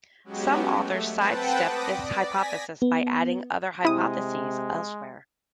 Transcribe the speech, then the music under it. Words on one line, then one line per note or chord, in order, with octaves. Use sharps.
Some authors sidestep this hypothesis by adding other hypotheses elsewhere.
F#3 G#3 B3 C#4 F#4 G4
A3
C4 B4 F#5 G5 A5
D6 D#6 A#6 B6
D5
G#5 A#6 B6
B3
C3 G#3 E4 D#6